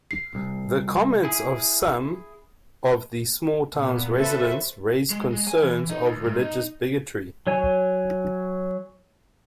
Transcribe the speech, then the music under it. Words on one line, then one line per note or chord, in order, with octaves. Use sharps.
The comments of some of the small town's residents raised concerns of religious bigotry.
C7
C2
E4 G#4
A#2 A#3 B3
F#4 A4 B4 C5 E5
G#3
G#3
G#5
E3
D#4
D2
G#2
D#4
F#3 C#5 G#5